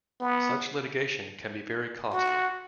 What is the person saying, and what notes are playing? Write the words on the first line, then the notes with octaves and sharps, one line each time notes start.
Such litigation can be very costly.
B3
F#4